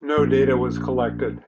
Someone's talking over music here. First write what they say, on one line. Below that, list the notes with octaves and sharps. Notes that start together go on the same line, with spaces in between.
No data was collected.
A#1